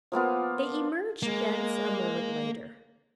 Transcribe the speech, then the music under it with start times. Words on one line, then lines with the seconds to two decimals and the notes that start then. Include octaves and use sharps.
They emerged thence a moment later.
0.12 F3 A#3 B3 F4
1.23 G#3 A#3